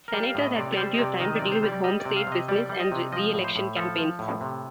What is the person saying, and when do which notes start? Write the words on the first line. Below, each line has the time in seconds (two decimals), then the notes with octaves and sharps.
Senators had plenty of time to deal with home-state business and reelection campaigns.
0.08 A#4
0.13 G3
0.23 F5
0.35 A2 D#5
0.56 C3 D5
0.72 D5
0.77 G3 C5
0.94 D#5
0.98 C3 D5
1.20 D#3 D#5
1.36 D5
1.42 C3
1.52 C5
1.63 G3
1.68 D5
1.84 G3 D#5
2.00 D5
2.05 C3
2.17 F5
2.27 C3 D#5
2.48 G3 D5
2.69 G3
2.80 D#5
2.92 C3
3.12 F3 D#5
3.33 A2
3.44 C5
3.56 A2
3.76 F3 A4
3.98 F3
4.19 A2
4.41 C3